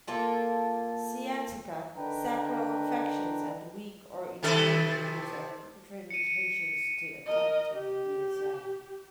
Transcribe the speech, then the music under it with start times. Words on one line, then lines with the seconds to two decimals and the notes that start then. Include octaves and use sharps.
Sciatica, sacral infections and weak or injured knees are contra-indications to attempting the asana.
0.07 A#3 F4 A4
1.96 D3 D#3 D4 B4 G5 A#5
4.43 C3 D#3 A4
6.10 C#7 D#7
7.26 A#4 D#5
7.73 G4